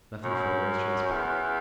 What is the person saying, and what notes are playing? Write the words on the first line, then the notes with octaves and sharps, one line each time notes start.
Nothing further has transpired.
F#2
E2